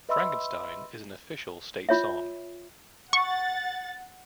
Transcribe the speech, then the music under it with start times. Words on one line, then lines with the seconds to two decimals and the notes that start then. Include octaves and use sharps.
Frankenstein, is an official state song.
0.09 B4 D#5 E5 B5 C6 E6
1.89 F4 C#5 E5
3.13 F#5 C#6 A6